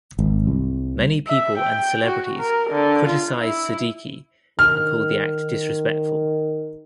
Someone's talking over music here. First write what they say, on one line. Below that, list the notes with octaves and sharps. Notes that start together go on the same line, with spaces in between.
Many people and celebrities criticized Siddiqui and called the act disrespectful.
G#1
C2
E5
G5
F#4
A#4
D3
F4
E4
D#3 F6